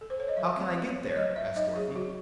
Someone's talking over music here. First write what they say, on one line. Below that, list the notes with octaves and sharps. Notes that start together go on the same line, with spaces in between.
"How can I get there?" asked Dorothy.
A4
C5
C#5
D#5
F#3 E5
C4
F#3
F#3
C#5
F#3 D#5
F#3 E5
D#4 D#5
F#3 G#4
F#3 F#4